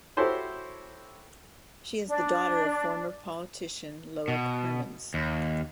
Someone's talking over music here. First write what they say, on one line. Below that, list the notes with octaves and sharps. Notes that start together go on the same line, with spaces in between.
She is the daughter of former politician Loek Hermans.
E4 F#4 G4 A4 C5 C#5
D4
B2
D#2